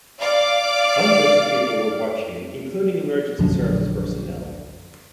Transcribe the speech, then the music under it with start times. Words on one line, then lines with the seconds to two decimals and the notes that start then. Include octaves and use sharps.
Hundreds of people were watching, including emergency services personnel.
0.21 D5 F5 D6
3.39 D#1 A#1 F#2 D3